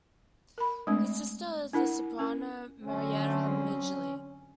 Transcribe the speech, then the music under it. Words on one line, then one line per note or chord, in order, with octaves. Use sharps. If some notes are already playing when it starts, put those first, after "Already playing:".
His sister is the soprano Maryetta Midgley.
A#4 B5
G#3 A3 C4 D4
D4 E4 A#4 F#5
C#4 A#4
D3 F#3 C4 C#4